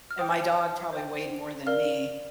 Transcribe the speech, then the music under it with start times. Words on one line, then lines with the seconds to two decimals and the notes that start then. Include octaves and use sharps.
and my dog probably weighed more than me,
0.11 F6
0.19 C5 G5 D#6
0.93 C5 G5
1.66 A#4 D5 F5 F6